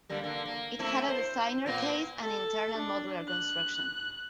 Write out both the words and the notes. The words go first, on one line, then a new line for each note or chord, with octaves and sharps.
It had a designer case and an internal modular construction.
D3 G3 A#3
D3 A#3
A#3
A3 C4 E4
C5
A#2 A#3 B3
A4
D4
F#6